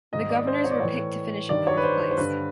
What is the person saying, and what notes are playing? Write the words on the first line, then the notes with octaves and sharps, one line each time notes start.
The Governors were picked to finish in fourth place.
G#2 D#3 D#5
D5
C5
C#5
D5
A2 E3 C#5
G2 D#3 D5
C#5
B4
C5
B4
C5
G2 D3 B4